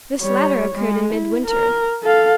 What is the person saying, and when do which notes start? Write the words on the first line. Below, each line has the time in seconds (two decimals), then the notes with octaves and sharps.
This latter occurred in midwinter.
0.22 G3 C#5
0.75 G#3
1.14 E4
1.47 A#4
2.03 A4 F5